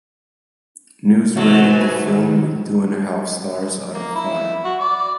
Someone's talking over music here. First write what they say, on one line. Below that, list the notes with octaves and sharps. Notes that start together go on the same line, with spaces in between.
News rated the film with two and half stars out of five.
G#2 C3 E3 F#3 A3 E4 B4 G#5
D#3
A#3
E4
F#4
D5